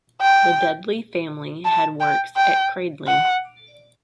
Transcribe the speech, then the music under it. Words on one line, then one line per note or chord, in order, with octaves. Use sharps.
The Dudley family had works at Cradley.
G5
A5
G5
G5
F#5